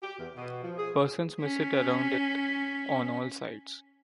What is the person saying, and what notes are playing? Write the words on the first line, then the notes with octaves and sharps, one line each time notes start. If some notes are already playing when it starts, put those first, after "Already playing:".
Persons may sit around it on all sides.
G4
E2
B2
F3
G#4
C#4 B6